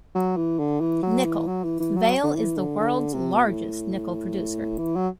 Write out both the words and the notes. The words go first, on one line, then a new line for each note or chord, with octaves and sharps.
Nickel: Vale is the world's largest nickel producer.
F#3
E3
D3
E3
F#3
E3
F#3
E3
E3
F#3
D3
E3
D3
D3
C3
B2
A2
E3
F#3